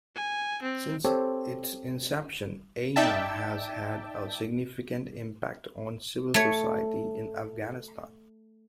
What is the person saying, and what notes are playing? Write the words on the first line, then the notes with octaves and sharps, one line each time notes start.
Since its inception, Aina has had a significant impact on civil society in Afghanistan.
G#5
C4
C4 G4 A4 C5 C#5
D#4 D5 E5 G5 A5
A3 C#5